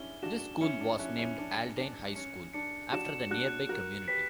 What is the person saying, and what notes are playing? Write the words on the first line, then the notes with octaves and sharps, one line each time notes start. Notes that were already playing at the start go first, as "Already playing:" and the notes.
This school was named Aldine High School, after the nearby community.
Already playing: C#4 D4 E4 G7
D4 F#4 E7
C#4 E4 C#7
D4
C#4 E4 F#6
C#4 E4
D4 F#6
D4 A#6
C#4 C#7
D4 C#7
D4 F#4 E7
D4 F#4 F#6
F#4 A#4 F#6
G4 B4 B6